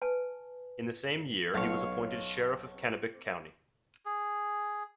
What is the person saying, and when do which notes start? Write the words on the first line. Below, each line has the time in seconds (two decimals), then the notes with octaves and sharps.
In the same year he was appointed Sheriff of Kennebec County.
0.02 B4 G#5 A5
1.54 B1 C#5 F5
4.06 G#4